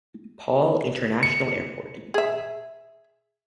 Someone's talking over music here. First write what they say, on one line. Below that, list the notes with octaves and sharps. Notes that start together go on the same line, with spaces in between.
Paul International Airport.
C#7
G#4 E5